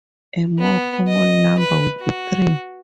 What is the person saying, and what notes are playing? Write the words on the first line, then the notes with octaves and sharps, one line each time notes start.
A more common number would be three.
B3
D#5
B4
F#4